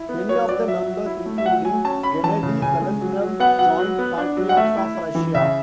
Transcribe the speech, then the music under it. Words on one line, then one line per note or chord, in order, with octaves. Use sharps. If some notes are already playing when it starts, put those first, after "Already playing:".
Many of the members including Gennady Seleznev joined Patriots of Russia.
Already playing: E4
B3
F#3 C#5
F#3 D5
F#3 E5
F#3
E4
A3
E5
F#3 F#5
F#3 G#5
C#4 A5
C#4 B5
E3 A5
C#3
C#3 G#5
G#3
F#3
F#3
B3 F#5
F#3 F#5
F#3
B3
D4
F#3
F#5
A3 E5
E4
E4
E3
C#3 E5